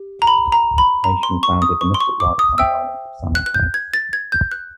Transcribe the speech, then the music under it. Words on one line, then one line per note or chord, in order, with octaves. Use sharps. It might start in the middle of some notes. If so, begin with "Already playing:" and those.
Iasion founded the mystic rites on the island of Samothrace.
Already playing: G4
A#5
B5
A#5
B5
A#5
C6
C#6
D#6
C#6
C6
C#6
D6
D#6
C5 E5 G5 E6
F#6
F#6
G6
G#6
A6
G#6
G6
F#6